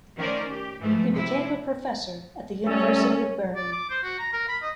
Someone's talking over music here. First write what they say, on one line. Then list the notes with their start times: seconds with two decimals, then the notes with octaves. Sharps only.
He became a professor at the University of Bern.
0.17 D#3 A3 C#4 A#4 C5 D5
0.51 G4
0.80 G#2 E3 F3 A3
1.11 C3 E4
2.67 G3 A3 C#4 A4
3.55 D5
3.72 D6
3.90 C5
4.03 F#4
4.19 A#5
4.33 A#4
4.48 B5
4.62 D#5